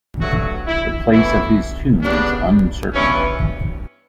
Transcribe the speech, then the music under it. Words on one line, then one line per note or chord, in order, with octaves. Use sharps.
The place of his tomb is uncertain.
G2 F#3 A3 F#4
E4
A2 E3 B3 E4
C#3 G3 B3 D4
G2 E3 B3 C#4